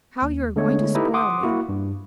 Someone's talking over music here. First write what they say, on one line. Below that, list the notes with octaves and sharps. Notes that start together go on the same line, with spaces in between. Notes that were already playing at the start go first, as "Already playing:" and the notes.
How you are going to spoil me!
D#2
D3 G#3 A3 B3 C#5
D#4 E4 G4 A4 B4 D#5
F#5 C6 D6 D#6
A#3 E4 F#4
G2